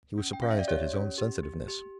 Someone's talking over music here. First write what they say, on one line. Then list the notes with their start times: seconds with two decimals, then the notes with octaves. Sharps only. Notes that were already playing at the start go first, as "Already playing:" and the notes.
He was surprised at his own sensitiveness.
0.18 C#4
0.33 G5
0.42 C#4 F5
0.51 E5
0.59 D5
0.68 G4 C#5
0.93 C#4
1.18 G4
1.43 G4
1.68 G4